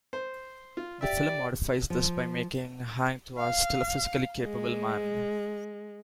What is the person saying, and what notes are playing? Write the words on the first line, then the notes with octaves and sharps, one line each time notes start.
The film modifies this by making Hang Tuah still a physically capable man.
C5
F4
G4 D5 E5
F3
F5
G#3